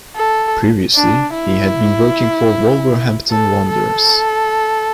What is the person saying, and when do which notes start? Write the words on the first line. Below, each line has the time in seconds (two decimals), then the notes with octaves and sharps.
Previously he had been working for Wolverhampton Wanderers.
0.15 A4
0.94 D4
1.34 E4
3.30 A4
3.68 A4